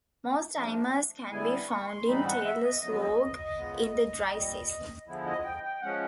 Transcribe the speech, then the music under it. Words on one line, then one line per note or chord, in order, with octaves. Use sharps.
Most animals can be found in Taylor Slough in the dry season.
G#2 F3 A3 D4
D3 G3 B3 E4 G#5
C#6
C6
G#2 E3 G3 C4 D#4 B5
F#5
E5
D#5
F2 D3 F#3 B3 D#5
C#3 F3 G#3 B3
A#2 G3 C4
D3 F3 G#3 B3 E4
D#5
G5
G5
F3 G#3 C#4 F#5